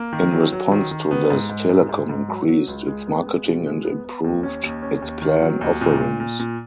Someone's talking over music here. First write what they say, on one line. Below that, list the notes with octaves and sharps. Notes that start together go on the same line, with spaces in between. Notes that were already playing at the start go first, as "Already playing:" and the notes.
In response to this, Telecom increased its marketing and improved its plan offerings.
Already playing: A#3
D#3
F#3
F#3
D#3
D#3
B3
G#2
G#2
G#2
G#2
G#2
F#3
F#3
C#2
G#3
B3
G#3
B2
G#3
B3
B3
D#2
C#4
D#2
C#4
D#2
D#3
F#3
D#2
A#2
A#2
A#2
A#2